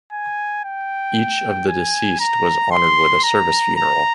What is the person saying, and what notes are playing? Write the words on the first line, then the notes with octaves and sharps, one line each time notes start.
Each of the deceased was honoured with a Service funeral.
G#5
G5
G#5
A#5
C6
A#5
A#5